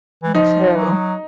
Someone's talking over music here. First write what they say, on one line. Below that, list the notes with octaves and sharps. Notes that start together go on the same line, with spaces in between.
Me too.
E3
F3 D#4
F#3